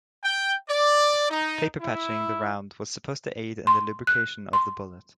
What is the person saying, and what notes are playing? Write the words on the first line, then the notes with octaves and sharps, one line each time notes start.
Paper patching the round was supposed to aid in the lubrication of the bullet.
G5
D5
D#4
E4
C6
F#6
C6